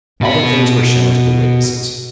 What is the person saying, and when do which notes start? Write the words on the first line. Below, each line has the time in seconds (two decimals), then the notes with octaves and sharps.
All the things were shown to the witnesses.
0.21 B2 B5